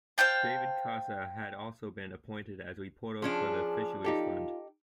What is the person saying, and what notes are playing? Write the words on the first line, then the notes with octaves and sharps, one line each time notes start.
David Casa had also been appointed as reporter for the Fisheries Fund.
C5 F5 G5 A5
F3 C#4 D4 G#4
D#4 F4 G4 A4